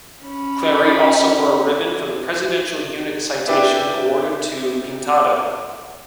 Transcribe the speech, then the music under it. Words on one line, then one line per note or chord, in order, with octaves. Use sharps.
Clarey also wore a ribbon for the Presidential Unit Citation awarded to "Pintado".
C#4 B5
D4 E4 G4 B4 D5 E5